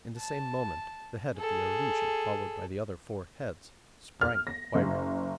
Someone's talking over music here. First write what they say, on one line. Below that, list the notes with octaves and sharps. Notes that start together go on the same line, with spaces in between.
In the same moment the head of the aruji, followed by the other four heads, sprang at Kwairyo.
A5
G#4 A4
F6
A#6
F#1